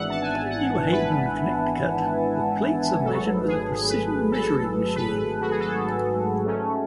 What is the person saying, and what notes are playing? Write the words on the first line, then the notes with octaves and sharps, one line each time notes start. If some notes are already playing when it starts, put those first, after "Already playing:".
In New Haven, Connecticut, the plates are measured with a precision measuring machine.
Already playing: G#1 G#2 E3 B3 D4 E5 F#5
A5
G#5
F#5
B4
G#1 G#2 F#3 A3 A4
G#4
B4
A4
B4
B4
F#4
G#4
A4
G#2 F#3 A3 C#4